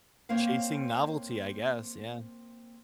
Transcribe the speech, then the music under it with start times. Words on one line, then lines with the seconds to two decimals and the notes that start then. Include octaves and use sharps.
Chasing novelty, I guess. Yeah.
0.29 A#3 C4 C#5 F5